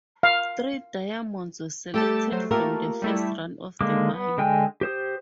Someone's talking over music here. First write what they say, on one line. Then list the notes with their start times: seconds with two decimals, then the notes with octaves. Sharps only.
Three diamonds were selected from the first run of the mine.
0.23 F5
1.94 G3 A3 G4 A4 A5
2.32 F#3 C5
2.51 A3 A#3 F4 G4 A#4
3.02 G3 A3 E4
3.81 D3 G#3 A#3 D6
4.14 B3
4.38 D3 G#3 G5 G#5
4.81 G4 C5 D#6